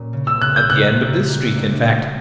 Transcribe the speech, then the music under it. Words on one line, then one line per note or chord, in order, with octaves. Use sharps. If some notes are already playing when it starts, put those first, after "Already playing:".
At the end of this street in fact.
Already playing: A#2 F#3 C#4
C#3
E6
C#3 F#6
G6
C#3 F#6
A#3
G3
D4
G3